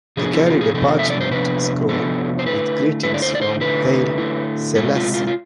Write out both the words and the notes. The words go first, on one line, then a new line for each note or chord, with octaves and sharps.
They carried a parchment scroll with greetings from Haile Selassie.
C3 F3 B3 D4 G#4
E4
F4
G#4
C3 F3 B3 D4 A4
E5
D5
C5
C3 F3 B3 D4 B4
C3 F3 B3 D4 A4
C5
D3 A3 E4 B4
D3 A3 E4 B4
D5
C5
D5
C5
D3 A3 E4 B4
D3 A3 E4
C3 G#3 C4 E4 A4
F4
F4
F4